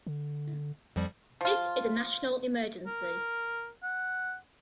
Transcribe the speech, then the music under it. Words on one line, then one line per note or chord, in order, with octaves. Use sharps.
This is a national emergency.
D3
F2 F3 G3
F3 F4
A#4
F#5